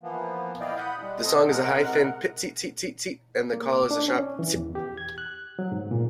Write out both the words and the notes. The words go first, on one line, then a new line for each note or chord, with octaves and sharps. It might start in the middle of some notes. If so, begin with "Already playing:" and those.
The song is a high thin "pit-seet-seet-seet-seet", and the call is a sharp "tsip".
E3 F3 A#3 B3
E4 D5 D#5 F5 G5
F#5 B5 D#6 G6
G3 G#3
C4 A4 D#5
C3 G#3 A#4 F#5
A#3
D6
D4
C#4
E3
E2
G4
G#6
F#6
F#3
G#2
A#2